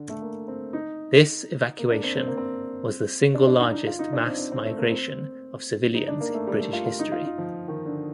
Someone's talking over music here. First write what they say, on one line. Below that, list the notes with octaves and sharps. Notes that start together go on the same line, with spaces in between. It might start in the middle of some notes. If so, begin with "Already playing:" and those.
This evacuation was the single largest mass migration of civilians in British history.
Already playing: D3
A3
A#3
C4
D#4
A#3
D4
C4
C4
A#3
C4
D4
D4
D#4
D#4
F4
D#4
D4
C4
C4
C4
A3
A#3
C4
D#4
D4
A#3
A3
G3
A3
F4
F4
D#4
F4
D#4
F3
D#3
D3